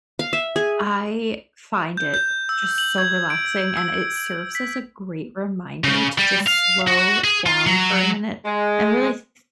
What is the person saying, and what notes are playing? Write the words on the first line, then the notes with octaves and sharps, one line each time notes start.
I find it just so relaxing, and it serves as a great reminder to just slow down for a minute and really th th
F5
E5
G#4
G6
G6
E6
F#7
G#6
D7
E6
B6
C#3
G3
F5
F#4
G#4
F4
F#3
G#3